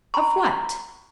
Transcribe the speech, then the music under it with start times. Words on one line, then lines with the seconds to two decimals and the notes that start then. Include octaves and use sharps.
"Of what?"
0.14 A#5 B5 C#6